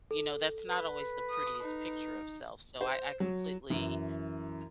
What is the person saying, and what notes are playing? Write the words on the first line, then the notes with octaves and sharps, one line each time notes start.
you know, that's not always the prettiest picture of self. So I I completely
A4
B4
D#6
D#4
C5
F#3
F#2 E3